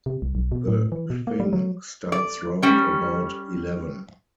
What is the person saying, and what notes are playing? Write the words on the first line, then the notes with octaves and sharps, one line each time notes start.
The thing starts round about eleven.
C3
C2
B1
B2
A2
E3
B2
A#3
G3
F#3
D5
G3 C#4